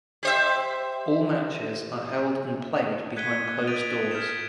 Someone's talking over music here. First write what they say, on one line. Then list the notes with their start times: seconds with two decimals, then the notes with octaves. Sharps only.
All matches are held and played behind closed doors.
0.23 G4 C5 E5
3.17 F#6 G#6 B6 C#7 D#7 G7
3.67 D#6 A6 D7 D#7 F7
4.11 F6 G6 G#6 B6 E7